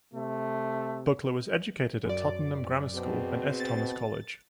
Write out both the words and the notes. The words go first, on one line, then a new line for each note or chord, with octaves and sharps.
Buckler was educated at Tottenham Grammar School and S Thomas College.
C3 A3
F#2 D5
B2 C4 G#4
A6